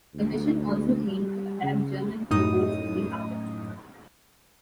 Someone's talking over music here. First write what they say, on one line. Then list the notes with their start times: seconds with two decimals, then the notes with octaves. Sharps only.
The mission also aimed to attack German U-boats in the harbour.
0.14 D2
1.06 G3
1.63 C#3
2.31 F#2 A2 D#4 D#6